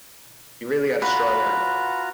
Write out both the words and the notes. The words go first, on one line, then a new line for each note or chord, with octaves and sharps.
He really had a strong arm.
F4 F#4 B4 A#5